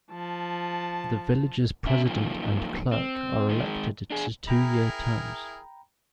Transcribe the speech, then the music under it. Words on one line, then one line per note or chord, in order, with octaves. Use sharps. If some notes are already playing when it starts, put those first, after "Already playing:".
The village's president and clerk are elected to two-year terms.
F3 A5
C#4 E5
F#2 A#2 D#3 F3
C4
D#3 G#3 D#4
D4 G#4
E4 G#4 A#4 G5 A#5 B5